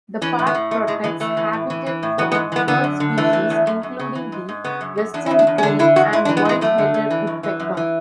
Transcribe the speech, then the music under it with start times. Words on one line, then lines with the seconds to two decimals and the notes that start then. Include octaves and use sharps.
The park protects habitat for bird species including the western grebe and white-headed woodpecker.
0.22 E3 C#4
0.39 A2
0.47 B3
0.54 A2
0.71 G#2 A3
0.87 G#2 G#3
1.04 E3 G#3
1.20 E3 A3
1.37 E3
1.53 A2
1.70 E3
1.86 E3
2.03 A2
2.18 E3 B3
2.32 B3
2.35 G#2
2.52 E3 B3
2.68 D3 B3
2.84 F#2
3.00 D3
3.18 E3 A3
3.33 E3
3.50 E2
3.67 F#2
3.83 F#2
3.99 C#3
4.15 E3
4.32 G#2
4.49 G#2
4.64 C#3 B3
4.81 F#2
4.97 F#2
5.14 E2 D4
5.26 E4
5.31 E2
5.39 D4
5.47 E2
5.58 C#4
5.63 D3 D4
5.79 D3 E4
5.96 E2 F#4
6.13 G#2 E4
6.25 D4
6.29 E3
6.37 B3
6.45 G#2 G#3
6.61 F#2 A3
6.78 D3
6.94 D3
7.10 E3
7.27 F#2
7.43 E3
7.60 F#2
7.77 E3